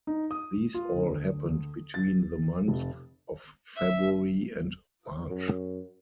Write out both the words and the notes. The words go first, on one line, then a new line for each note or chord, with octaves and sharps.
These all happened between the months of February and March.
D#4
D#6
F4
D2
A6
F1
E5
F#2